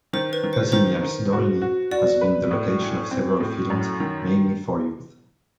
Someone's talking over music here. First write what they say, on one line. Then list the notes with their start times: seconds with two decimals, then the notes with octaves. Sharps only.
Kazimierz Dolny has been the location of several films, mainly for youth.
0.13 D#3 C5
0.33 B4
0.44 D#3
0.53 C5
0.72 D#3 C5
1.03 D#3
1.33 F#4
1.62 F#4
1.91 F#4 D5
2.21 B4
2.51 A2
2.81 E3
3.11 C4
3.41 A2
3.70 F#2
4.00 D#3